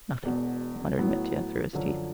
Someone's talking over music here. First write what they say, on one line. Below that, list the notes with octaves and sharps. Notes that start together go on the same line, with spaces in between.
"Nothing," muttered Mitya, through his teeth.
E1 E2 B2
A2 F#3 B3 E4
F#2 D3 F3